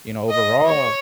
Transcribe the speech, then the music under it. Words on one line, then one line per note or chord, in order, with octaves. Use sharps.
you know, overall
D#5
C#5